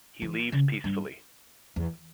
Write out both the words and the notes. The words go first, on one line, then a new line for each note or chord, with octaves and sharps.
He leaves peacefully.
E3
C#3
G2
E2